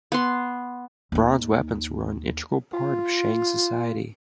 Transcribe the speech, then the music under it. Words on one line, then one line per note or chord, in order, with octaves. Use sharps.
Bronze weapons were an integral part of Shang society.
B3 C6
D#2 D#4
F4